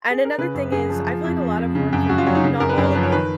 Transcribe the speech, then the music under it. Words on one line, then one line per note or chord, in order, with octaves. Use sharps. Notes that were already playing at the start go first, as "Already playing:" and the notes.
and another thing is I feel like a lot of work from home not all of them,
G#4
A#4
C#3 B4
F#2
F#2 G#4
F3
F3
F2
F3
F2
C#3
F#2
F#2 F#4
F4
F#3 C#4
D#4
C#3
F#2 A#4
B4
F#2 C#5
F3 B4
C#5
D#3 B4